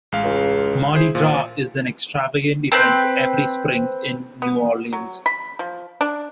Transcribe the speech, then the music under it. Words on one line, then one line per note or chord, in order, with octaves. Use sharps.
Mardi Gras is an extravagant event every spring in New Orleans.
A1 G#3 F5
C#2
E4 G#4 C5
A#2 F3
C4 B4 G5
B3
F#3
B5
F3
D4